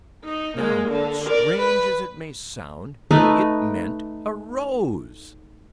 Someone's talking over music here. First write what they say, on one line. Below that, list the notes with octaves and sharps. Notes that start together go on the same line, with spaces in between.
Now--strange as it may sound--it meant a rose!
D#4
G#3 A#3
D3
A#4 D5
B4
A3 D#4 B4